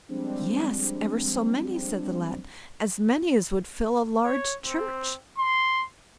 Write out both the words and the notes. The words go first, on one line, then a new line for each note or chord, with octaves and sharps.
'Yes, ever so many', said the lad, 'as many as would fill a large church.'
F3 G3 G#3 C4 D4
C#5
C4
C6